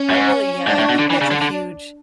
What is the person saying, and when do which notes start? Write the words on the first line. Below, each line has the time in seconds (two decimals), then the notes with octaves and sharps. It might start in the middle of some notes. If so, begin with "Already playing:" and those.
I really yeah, I think that's a huge,
Already playing: C#4
0.10 F#2
0.13 G#2
0.67 G#2 D4
0.78 A2
0.89 B2
0.99 D3
1.10 E3 D4
1.21 C#3
1.31 D3
1.41 D3